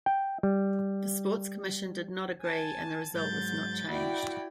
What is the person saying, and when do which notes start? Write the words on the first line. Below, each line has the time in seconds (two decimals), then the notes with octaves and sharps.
The Sports Commission did not agree and the result was not changed.
0.06 G5
0.43 G3
2.40 G#5 A5
3.12 G#2 F#3 G6 A6
3.87 E4 F#4 D5 G5